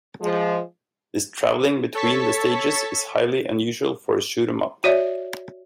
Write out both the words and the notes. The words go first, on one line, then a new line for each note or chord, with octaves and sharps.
This traveling between the stages is highly unusual for a shoot 'em up.
F3 G#3
A4 C#5 A5 C#6 B6
F#4 C#5 D5 E5